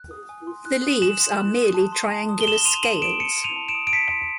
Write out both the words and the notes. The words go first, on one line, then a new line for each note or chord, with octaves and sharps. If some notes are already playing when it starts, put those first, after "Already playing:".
The leaves are merely triangular scales.
Already playing: F#6
D#6
G#5
C6
F#6
D#6
G#5 E7 F#7
C6
F#6
D#6
A5
C6
A5
D#6
G7
A5 E7 F#7
C6 D#7 F7
A5 E7 F#7
D#6 D7 E7
A5 C#7 D#7
C6
D#7 F7
A5
D7 E7
D#6
D7
A5 B6 C#7
C6